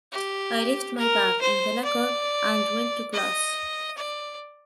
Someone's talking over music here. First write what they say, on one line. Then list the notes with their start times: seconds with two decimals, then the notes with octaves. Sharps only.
I left my bag in the locker and went to class.
0.13 G4
0.98 A#4
1.41 C5
1.85 D5
3.13 D#5
3.98 D5